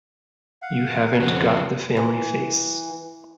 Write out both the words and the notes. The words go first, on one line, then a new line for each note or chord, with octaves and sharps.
You haven't got the family face.
F5 F#5
F2 C#3 F3 F#4
E3